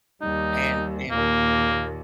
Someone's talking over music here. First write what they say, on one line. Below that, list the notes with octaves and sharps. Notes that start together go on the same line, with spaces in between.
and and
D#2 G3 D#4
D#2 A#2 A#3